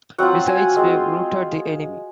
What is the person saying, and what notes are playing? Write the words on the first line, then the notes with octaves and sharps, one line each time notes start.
Besides, we've routed the enemy.
F#3 C4 F4 F#5
G#5
G#3 C4 F4